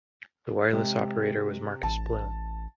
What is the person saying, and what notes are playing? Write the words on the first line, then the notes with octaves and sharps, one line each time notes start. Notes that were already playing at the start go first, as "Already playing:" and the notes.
The wireless operator was Marcus Bloom.
C3 G#3
A1 A5